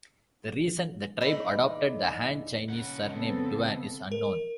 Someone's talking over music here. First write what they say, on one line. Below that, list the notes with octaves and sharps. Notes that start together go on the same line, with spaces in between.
The reason the tribe adopted the Han Chinese surname Duan is unknown.
E3 D#4 D5
C#3 F#5
B3 C4 A4
A#4